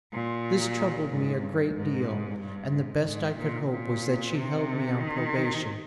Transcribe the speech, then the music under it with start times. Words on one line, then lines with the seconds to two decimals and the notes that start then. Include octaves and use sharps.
This troubled me a great deal, and the best I could hope was that she held me on probation.
0.13 A#2
1.10 G#2
1.43 G2
1.76 G#2
2.40 G2
2.73 G#2
3.05 G#2
3.38 A#2
3.71 A#2
4.35 C3
5.00 D#3